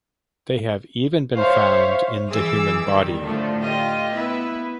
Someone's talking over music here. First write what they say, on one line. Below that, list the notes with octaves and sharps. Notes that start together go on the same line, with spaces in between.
They have even been found in the human body.
C5 C#5 E5 F5 C#6
G1 E3 G#4 D6 E6
D#3 G3
A2 D3 F3 A3
F4 G4 D#5
B3 E4 B4 E5